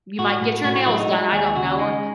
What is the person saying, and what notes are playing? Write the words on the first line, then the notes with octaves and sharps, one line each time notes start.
you might get your nails done, I don't know, or
A2 F#4
A2
A2 F#4
F#4
F#3 E4
D#4
G#3 E4
D#2 G#4
C#3 F#4
G#3 D#4